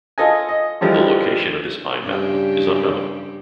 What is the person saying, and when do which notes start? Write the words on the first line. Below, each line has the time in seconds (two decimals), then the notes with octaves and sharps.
The location of this Pine mountain is unknown.
0.18 F4 A4 D#5 G#5
0.49 D#5
0.81 D3 E3 F3 G3 G#3
2.02 G2 C#3 G4